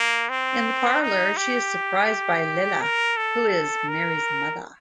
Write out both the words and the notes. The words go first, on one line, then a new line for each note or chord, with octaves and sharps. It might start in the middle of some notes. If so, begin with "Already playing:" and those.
In the parlor she is surprised by Lila, who is Mary's mother.
Already playing: A#3
C4
D#4
G4
A#4
A4
A#4